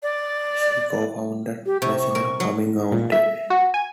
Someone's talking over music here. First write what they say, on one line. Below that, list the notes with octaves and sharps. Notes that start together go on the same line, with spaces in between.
She co-founded National Coming Out Day.
D5
G4
C3 C#6
C#6
A#4
F#3
A#2
E5
F#4
G#5